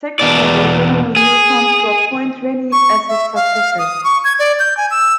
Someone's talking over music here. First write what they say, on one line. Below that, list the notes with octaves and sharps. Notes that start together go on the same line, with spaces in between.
Secretary-General U Thant to appoint Rennie as his successor.
E2 B2 D5
G#4
C#6
E5
F5
D#6
C#6
G#6
D5
G6
G#5
E6